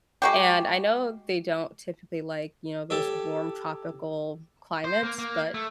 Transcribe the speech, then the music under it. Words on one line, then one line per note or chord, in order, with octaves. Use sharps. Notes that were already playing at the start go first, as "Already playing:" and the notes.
and I know they don't typically, like, you know, those warm tropical climates, but
G#3 F#4 G4
G4 A4 C#5
C5
A#3
A#3
A3